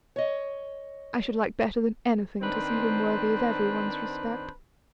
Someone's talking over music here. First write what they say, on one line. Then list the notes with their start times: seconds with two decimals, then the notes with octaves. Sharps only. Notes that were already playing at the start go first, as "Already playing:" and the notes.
I should like better than anything to see him worthy of every one's respect.
0.16 C#5 D#5
2.42 D#3 C4 D4 B4 C5 A5